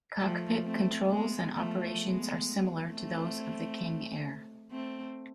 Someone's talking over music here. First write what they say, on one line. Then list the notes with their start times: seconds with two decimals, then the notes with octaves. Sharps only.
Cockpit controls and operations are similar to those of the King Air.
0.20 F3 A3
0.64 A3 C4
1.09 G#3 B3
1.55 F3 A3
2.00 G#3 B3
2.91 A3 C4
4.71 A3 C4